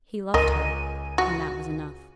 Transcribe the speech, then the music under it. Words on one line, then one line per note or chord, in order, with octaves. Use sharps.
He loved her, and that was enough.
C#2 A#4 D#5 G#5 D#7
F#4